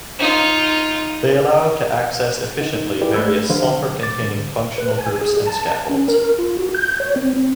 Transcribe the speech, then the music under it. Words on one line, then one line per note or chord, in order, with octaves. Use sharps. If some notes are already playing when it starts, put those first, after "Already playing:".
They allow to access efficiently various sulfur containing functional groups and scaffolds.
D#4 F4
D#4
E4 G4 G#4 A#4 B4 D5
A3 B5 E6
D3 F#3 C5 F5
D6 A6
G#2 D3
B4
G#5
G#4
A5
C#4
A#4
F4
F#4
G6
C#5
C4
C4